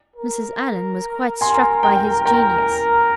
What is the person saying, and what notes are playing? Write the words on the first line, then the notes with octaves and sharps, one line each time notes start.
Mrs. Allen was quite struck by his genius.
A#4
G#5 C6
G5 A#5
A#4 G5 A#5